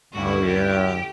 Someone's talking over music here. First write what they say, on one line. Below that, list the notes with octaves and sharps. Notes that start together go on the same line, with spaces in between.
Oh, yeah.
D2 D3 A3 C#4 E4 F#4
G4